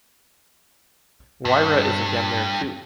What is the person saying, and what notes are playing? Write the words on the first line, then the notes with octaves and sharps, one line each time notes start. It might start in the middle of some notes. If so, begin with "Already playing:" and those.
Moira is again there too.
G2